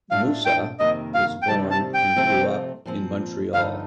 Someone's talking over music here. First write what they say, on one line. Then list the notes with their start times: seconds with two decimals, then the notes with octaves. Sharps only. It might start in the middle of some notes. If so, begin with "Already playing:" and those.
Moussa was born and grew up in Montreal.
0.11 A2 A3 D4 F4 F5
0.45 G5
0.79 F2 C3 D#3 A#3 D#5
1.14 F5
1.42 G5
1.48 C3 D#3 G3 C4 A5
1.71 A5
1.94 G5
2.16 C3 F3 A3 C4 F4
2.86 A#2 F3 C4
3.53 G2 D3 F3 A3 D#4 F5